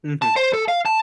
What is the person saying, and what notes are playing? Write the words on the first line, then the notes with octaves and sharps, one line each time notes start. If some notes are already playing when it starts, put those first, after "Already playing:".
Mhm. T
A5
C5
A4
F5
A5